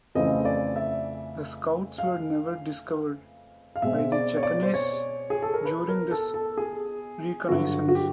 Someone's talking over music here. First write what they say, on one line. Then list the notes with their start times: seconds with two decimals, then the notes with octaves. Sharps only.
The scouts were never discovered by the Japanese during this reconnaissance.
0.15 F2 C#3 E3 A3 C4 D#5
0.45 D5
0.76 E5
1.98 F5
3.76 F5
3.82 B2 G#3 C4 E5
4.12 D5
4.37 C#5
4.43 D5
4.63 C5
4.74 C#5
5.30 G#4
5.42 A4
5.54 A#4
5.65 B4
5.89 A#4
6.11 A4
6.34 A4
6.57 G#4
7.49 G2 D3 F#3 F#4
7.88 F#4
7.95 G4